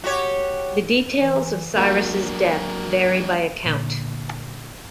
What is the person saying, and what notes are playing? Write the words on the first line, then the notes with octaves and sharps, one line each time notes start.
The details of Cyrus's death vary by account.
F#4 G4 C#5
E3
F#3 G#3 A#3 D4 F#4 A#4
A#2 D3